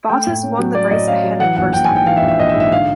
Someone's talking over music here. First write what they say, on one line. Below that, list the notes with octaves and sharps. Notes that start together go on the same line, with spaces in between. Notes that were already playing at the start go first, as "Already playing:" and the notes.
Bottas won the race ahead of Verstappen.
A3 G5
A2
C#4
F#3
A3 D5
A2 D#5
C#4 F5
F#3
E3 F#5
A#1 F#5
A#1 G5
G#2 G#5
G5
E3 F5
E5
A#1
E5
A#1 D#5
E5
G#2
E5
D3 F5